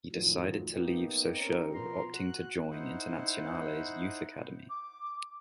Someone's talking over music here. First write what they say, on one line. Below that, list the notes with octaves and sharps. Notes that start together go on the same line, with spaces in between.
He decided to leave Sochaux opting to join Internazionale's youth academy.
F2 A2 D#3 F3 F#3
A#3 B3 D#4 G4
C4 C#4 D#4 G4 A#4
B2 F3 B3 A#4 A#5 C6
F#4 F#6
D#4 E4 C5 F#5
D6